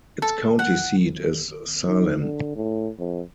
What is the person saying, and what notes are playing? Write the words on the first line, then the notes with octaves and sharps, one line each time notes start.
Its county seat is Salem.
A4
F#5
D#4
D3
A2
F2